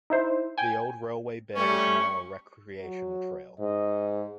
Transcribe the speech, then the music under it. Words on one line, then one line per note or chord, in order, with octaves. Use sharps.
The old railway bed is now a recreational trail.
D#4 E4 C5
G5 G#5
G3 A3 C#4 C#6
F#3
G#2 D#5